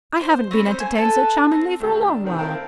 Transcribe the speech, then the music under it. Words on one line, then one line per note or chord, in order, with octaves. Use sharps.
I haven't been entertained so charmingly for a long while.
C5
C4 C#4 C#5 B5
C5
G#5
A4 B4 A5
C4
D2 G4 A#5
D4
C3 D#3 C4
C4 E4 A#4 F5 G5 A5